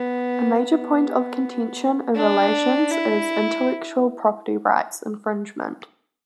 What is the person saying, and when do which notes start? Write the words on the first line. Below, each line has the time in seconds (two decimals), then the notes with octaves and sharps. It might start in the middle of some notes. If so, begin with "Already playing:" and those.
A major point of contention in relations is intellectual property rights infringement.
Already playing: B3
0.64 B3
2.16 D4
2.91 E4